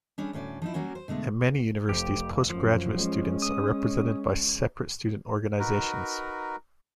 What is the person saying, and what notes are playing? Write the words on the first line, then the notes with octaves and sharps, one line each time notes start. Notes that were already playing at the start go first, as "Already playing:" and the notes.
At many universities, postgraduate students are represented by separate student organisations.
G3 C#4 D4 G#4
D2 A2 C#4 D5
F3 D#4 E4
F#3 G3 A#3 C#4 F#4
C5
B2 D3 G#3 A3
F1 F2 G4
F#2 F3
G#3 C#4
D#6
D#4 F#4 A#4 B4